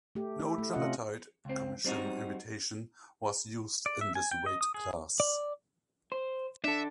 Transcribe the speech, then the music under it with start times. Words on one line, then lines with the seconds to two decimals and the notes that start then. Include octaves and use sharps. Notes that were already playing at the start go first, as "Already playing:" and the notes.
No Tripartite Commission invitation was used in this weight class.
0.15 A3 G4
0.40 E4
0.58 A3
0.73 C3 C#4 F4 D#5 F#5
1.45 C#2 C4
1.85 G3 C4 D4 D#4 F#4
3.86 D5
4.01 E5
4.15 G#5
4.31 G5
4.46 D#5
4.61 D#6
4.74 G#4
5.20 D5
6.12 C5
6.64 D4 A4 E5